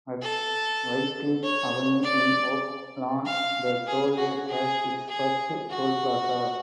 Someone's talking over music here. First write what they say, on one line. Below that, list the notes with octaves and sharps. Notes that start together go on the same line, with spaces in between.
At Wycliff Avenue in Oak Lawn the Tollway has its first toll plaza.
A4
C#5
D5
F5
G#4
F#4
G#4
G#4
F#4